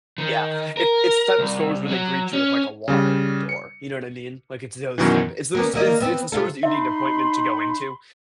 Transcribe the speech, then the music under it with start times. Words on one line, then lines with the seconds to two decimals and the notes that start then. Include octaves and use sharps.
Yeah, it's it's the type of stores where they greet you with, like, a water at the door, you know what I mean? Like, it's those type of it's those, it's it's the stores that you need an appointment to go into,
0.18 D#3
0.77 A#4
1.38 C2
1.88 F#3
2.33 C#4
2.88 C#3 G3
3.49 C#7
4.98 F#2 B2 D#3 E3
5.55 A#3 B3 C#4
5.74 D#3 A#3 D#5
6.00 B3 C4
6.32 C3 F4 A4
6.63 D#4 E5 B5 C6